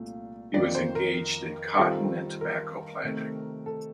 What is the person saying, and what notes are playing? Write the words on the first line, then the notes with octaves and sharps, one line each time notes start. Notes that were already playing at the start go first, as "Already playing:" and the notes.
He was engaged in cotton and tobacco planting.
Already playing: C2 A#2 A3 F5
F2 D#3 A#3 F4 D5
C5
A#4
D#3 G3 C4 F4 A4
A#4
C3 D#3 A3
A4